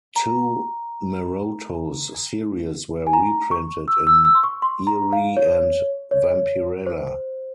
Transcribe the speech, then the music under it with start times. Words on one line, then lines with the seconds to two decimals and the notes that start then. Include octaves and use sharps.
Two Maroto's series were reprinted in "Eerie" and "Vampirella".
0.16 A#5
3.07 G#5
3.13 A#5
3.51 C#6
3.88 E6
4.07 E6
4.25 E6
4.35 C6
4.43 C#6
4.62 C6
4.87 A#5
5.13 F5
5.37 C#5
6.11 C#5
6.86 C5